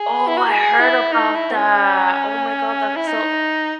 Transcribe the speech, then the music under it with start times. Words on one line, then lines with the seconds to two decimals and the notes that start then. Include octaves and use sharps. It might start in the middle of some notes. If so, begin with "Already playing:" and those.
Oh, I heard about that. Oh my god, that's so
Already playing: G#4
0.27 E4
0.37 F#4
0.48 G#4
0.80 E4
1.12 D#4
1.35 E4
1.52 B3
1.57 C#4
2.96 E4
3.07 D#4